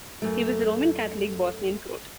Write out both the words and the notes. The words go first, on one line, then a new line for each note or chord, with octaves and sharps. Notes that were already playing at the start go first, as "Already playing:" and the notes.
He was a Roman Catholic Bosnian Croat.
F#2 A3